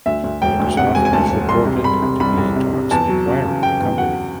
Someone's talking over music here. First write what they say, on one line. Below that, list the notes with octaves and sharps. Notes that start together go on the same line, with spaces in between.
Microsoft was reported to be in talks of acquiring the company.
D2 E5
D2
E1 G5
D2
C3 F#5
E1 G#5
G#5
D2 A5
E1
C2 C6
C3
C2 B5
C3
C2 B5
C2
C3
C3
E2 A5
F#3
C#3
C#3
C#3 G5
E2
F#3 F#5